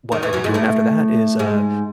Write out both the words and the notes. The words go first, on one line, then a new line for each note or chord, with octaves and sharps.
What I'd be doing after that is, uh
D#2 D#3
E2 E3
F#2 F#3
G#2 G#3
A2 A3
G#2 G#3